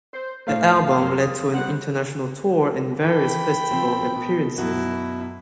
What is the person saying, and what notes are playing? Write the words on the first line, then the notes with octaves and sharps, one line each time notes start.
The album led to an international tour and various festival appearances.
C5
A2 A3 C5 F5
F#2 A#3 C6
D#6
G3 C4 F#5
E3 A4 G5 B5
F3 C4
B2
F#2 B2 E4 F#4